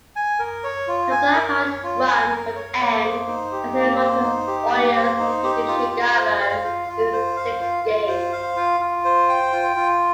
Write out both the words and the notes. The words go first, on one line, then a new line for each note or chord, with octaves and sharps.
The Blackhawks run would end, as the Edmonton Oilers defeated Chicago in six games.
G#5
A#4
C#5
F4
G#5
A#4
C#5
F4
G#5
A#4
C#5
A#3
C5
D#4
G4
A#3
C5
D#4
G4
A#3
C5
D#4
G4
F4
F4
C5
F5
F4
F4
C5
F5
F4
F4
C5
F5
F4
F4
C5
G5
F4
F4